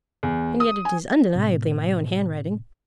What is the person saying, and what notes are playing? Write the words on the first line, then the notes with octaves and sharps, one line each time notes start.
And yet it is undeniably my own handwriting.
E2
D#6
G#5
A2 C3